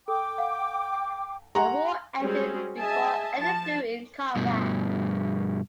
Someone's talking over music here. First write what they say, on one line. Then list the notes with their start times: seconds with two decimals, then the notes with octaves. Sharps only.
The war ended before any flew in combat.
0.08 A4 G5 D6
0.38 F5 F#5
1.55 G4 F#5 G#5 A#5 C6
2.20 G3 G#3 C4 C#4 F#4 G#4
2.78 G#4 D#5 E5 G#5 A5
3.38 F3 A5
4.36 G2 B2